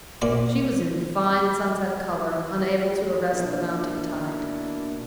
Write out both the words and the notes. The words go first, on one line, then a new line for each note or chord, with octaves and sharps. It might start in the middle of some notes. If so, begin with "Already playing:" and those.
She was in fine sunset colour, unable to arrest the mounting tide.
A#2 D5 D6
B2 A#3 D4 E4